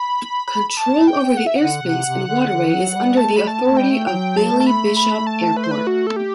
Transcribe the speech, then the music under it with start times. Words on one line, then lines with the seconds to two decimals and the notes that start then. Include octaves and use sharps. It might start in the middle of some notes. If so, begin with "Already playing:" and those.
Control over the airspace and waterway is under the authority of Billy Bishop Airport.
Already playing: B5
0.47 B5
0.69 B5
0.77 A5
1.07 G5
1.37 F#5
1.47 E5
1.56 D3 F#5
1.82 C3
2.05 C3
2.27 D3
2.50 D3
2.72 F#3
2.95 G3
3.17 A3 A5
3.36 B5
3.47 A5
3.62 B3
3.72 A3 G5
3.82 G3
3.92 A3
4.07 F#3 G5
4.37 A5
4.52 A3
4.60 A5
4.67 B5
4.97 B5
5.27 A5
5.57 B4
5.64 C5
5.71 B4
5.87 F#4
6.07 A4
6.16 G4